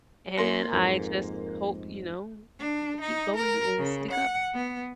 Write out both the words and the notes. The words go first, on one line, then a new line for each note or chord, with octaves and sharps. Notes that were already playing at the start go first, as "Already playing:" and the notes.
and I just hope, you know, people keep voting and stick up.
A#3 C6 A#6
F2 G#2
D4
D#4
A#4
C#3
F#5
B3